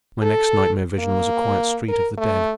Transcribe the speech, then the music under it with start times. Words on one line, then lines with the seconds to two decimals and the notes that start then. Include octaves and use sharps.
My next nightmare vision was a quiet street of the dead.
0.22 A4
0.99 A#3
1.88 A#4
2.18 A3